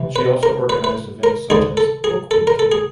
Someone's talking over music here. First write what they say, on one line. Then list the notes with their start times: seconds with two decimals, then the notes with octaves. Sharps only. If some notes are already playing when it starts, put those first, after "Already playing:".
She also organized events such as Book Week.
Already playing: C3 E3
0.16 B4
0.43 A#4
0.69 B4
0.84 B4
1.23 A#4
1.50 D2 D3 G#4
1.77 A4
2.04 G#4
2.31 A4
2.47 A#4
2.59 A4
2.72 G#4